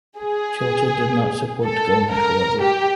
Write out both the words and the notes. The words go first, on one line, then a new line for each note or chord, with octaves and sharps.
Churchill did not support the government, however.
G#4
A4
A#4
G4